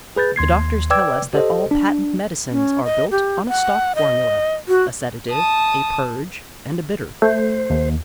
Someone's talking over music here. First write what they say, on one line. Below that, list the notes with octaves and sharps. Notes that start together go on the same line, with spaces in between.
The doctors tell us that all patent medicines are built on a stock formula--a sedative, a purge, and a bitter.
G#4 B4 G6 A6
D#2 C6 G#6 C7
B4 D5 G5 D6 E6 G#6
G4 A4 C5 D#5
D4
C#4
D#5
G4
F#5
D#5
F#4
A5 D#6
A3 C5
D#2